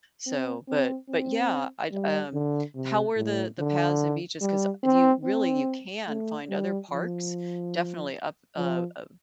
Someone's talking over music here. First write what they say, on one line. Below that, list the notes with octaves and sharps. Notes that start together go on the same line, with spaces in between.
So, but but yeah, I'd um, how were the the paths and beaches, 'cause, uh do you really you can find other parks definitely up uh uh
C4
C4
C4
G3
D3
C3
A2
D3
G3
C4
C4
A3
G3
F3
F3